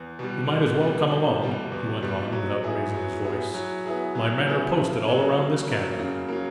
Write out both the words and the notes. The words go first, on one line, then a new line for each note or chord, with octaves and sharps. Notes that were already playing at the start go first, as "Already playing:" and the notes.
"You might as well come along," he went on, without raising his voice. "My men are posted all around this cabin."
Already playing: E2
B2 G3
E2
B2 G3
E2
B2 G3
E2
B2 G3
F#3
B3 E4 G#4
F#3
B3 E4 G#4
F#3
B3 E4 G#4
F#3
B3 E4 G#4
C#3
F#3 A#3
C#3
F#3 A#3
C#3
F#3 A#3